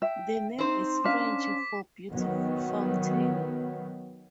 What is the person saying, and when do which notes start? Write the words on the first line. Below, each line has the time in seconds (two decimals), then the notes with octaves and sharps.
The name is French for "beautiful fountain".
0.02 E5 G5
0.58 C4 D#4 C5
1.04 C#4 D4 F5 D6 B6
2.10 D#3 F#3 B3